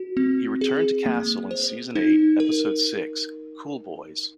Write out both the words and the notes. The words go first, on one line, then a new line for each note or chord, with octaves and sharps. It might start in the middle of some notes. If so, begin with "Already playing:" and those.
He returned to Castle in season eight, episode six "Cool Boys".
Already playing: F#4
C4
G#4
A#3
C5
D#4
A#4